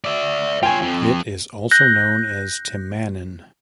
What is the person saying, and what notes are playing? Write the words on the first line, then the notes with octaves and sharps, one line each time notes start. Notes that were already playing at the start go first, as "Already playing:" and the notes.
It also known as Timanan.
D5 E5
F4 C#5 G5 G#5
F2 F3
F#6 G6 A#6